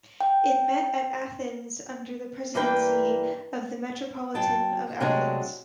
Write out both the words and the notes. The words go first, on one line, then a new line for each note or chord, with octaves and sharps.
It met at Athens under the presidency of the Metropolitan of Athens.
G5
G2 E3 A#3 D4 B4 G5
F#3 G5 A5
C3 F#3 G#3 A3 D4